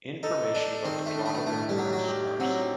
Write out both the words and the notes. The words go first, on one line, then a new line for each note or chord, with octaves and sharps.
Information about the plot of the film is sparse.
D#4 A4
D4 A4
D#3 C4
A3
D4
A3
A2 A3
G3
F#3 G4
F#3
G4
F#3 C4